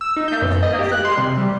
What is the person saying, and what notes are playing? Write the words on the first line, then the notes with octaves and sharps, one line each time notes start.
I wish you the best of luck.
E6
D#4
G6
F#2
D#5
G4
F#6
C6
C3
G3